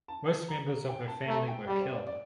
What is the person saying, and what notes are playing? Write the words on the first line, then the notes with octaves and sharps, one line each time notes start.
Most members of her family were killed.
A5
A#5
G5
A5
A3 A#5
G5
G3 D5
C5
D5
D5